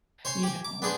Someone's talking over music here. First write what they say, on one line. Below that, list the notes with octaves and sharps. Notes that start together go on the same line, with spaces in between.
You know?
C5 C#5 G#5 C6
G4 G#5
D6
B3 D4 G#4 C5